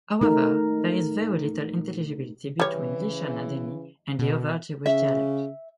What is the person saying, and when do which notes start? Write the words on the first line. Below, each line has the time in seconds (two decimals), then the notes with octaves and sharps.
However, there is very little intelligibility between Lishana Deni and the other Jewish dialects.
0.21 A3 D#4 A#4
2.60 C#3 E3 G3 C#5
4.19 B2
4.86 C#3 E5